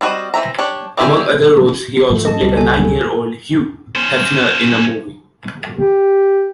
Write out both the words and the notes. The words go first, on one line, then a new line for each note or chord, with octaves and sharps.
Among other roles, he also played a nine-year-old Hugh Hefner in a movie.
G3 C4 F#4 D#5
E3 C4 E5 A#5
D4 G4 C#5
G3 C4 E4 G4 G#4
G#2 F3 A3
D#5 A5
C#2 G3
A4 G#5
C#4 C5
G4